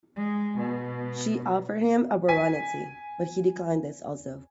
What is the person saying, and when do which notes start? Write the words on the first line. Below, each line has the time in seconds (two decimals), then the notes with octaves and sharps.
She offered him a baronetcy, but he declined this also.
0.16 G#3
0.58 B2
2.28 G#5 B6